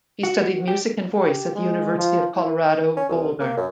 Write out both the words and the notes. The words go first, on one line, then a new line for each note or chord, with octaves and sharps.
He studied music and voice at the University of Colorado Boulder.
F#4
G4
G4
G#3
F3
E4
C#4
C2
A#3
F#2